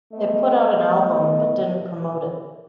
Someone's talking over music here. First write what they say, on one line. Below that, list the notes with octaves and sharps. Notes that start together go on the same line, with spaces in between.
They put out an album but didn't promote it.
A3 B3 D#5